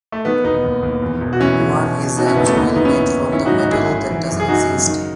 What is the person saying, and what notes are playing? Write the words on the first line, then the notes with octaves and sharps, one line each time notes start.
One is a jewel made from "the metal that doesn't exist".
A3
D#3 B3
E1 B3 D#4
D#2
D#2
E2
E1
F#4
E3 C#4 E4
E3
B2
B2
B2 D#4 F#4
C#4 E4
F#1 B3 D#4
A3 C#4
D#2 B3 D#4
E4
D#3 B3 D#4
C#4 E4
D#3
D#3
D#3 C#4 E4
D#4 F#4
G#2
D#4 F#4
G#1 E4 G#4
D#3
E3
F#2
G#4
F#2 D#4 F#4
C#3
D#3